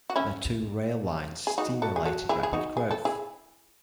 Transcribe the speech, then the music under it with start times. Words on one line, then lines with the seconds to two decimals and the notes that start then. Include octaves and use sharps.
The two rail lines stimulated rapid growth.
0.10 F#4
0.16 C#4 E4
1.47 G#4
1.58 D#4 F#4
1.82 F#4 A4
1.96 G#4
2.05 F#4 A4
2.29 E4 G#4
2.43 G#4
2.53 D#4 F#4
2.77 G#4
2.91 A4
3.05 E4 G#4